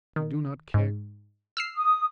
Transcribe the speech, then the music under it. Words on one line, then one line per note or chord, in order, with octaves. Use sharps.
We do not care.
D#3
G#2
E6 F6 C7
D#6